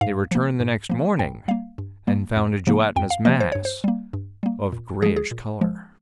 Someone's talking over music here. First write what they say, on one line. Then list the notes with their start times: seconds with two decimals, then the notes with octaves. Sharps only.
They returned next morning and found a gelatinous mass of grayish color.
0.01 G#2 F5
0.31 F3 A#3
0.60 G#2
0.89 F3 A#3
1.19 G2 G5
1.48 G3 A#3 F5
1.78 G2
2.07 G3 A#3
2.36 F2
2.67 C3 F3 A#3
2.96 F2 G5
3.10 F5
3.25 C3 F3 A#3 D#5
3.40 C5
3.52 G2 C#5
3.65 C5
3.84 G3 A#3
4.13 G2
4.43 G3 A#3
4.72 A#2
5.02 F3 G#3 G#4
5.16 G#4
5.31 A#2
5.61 F3 G#3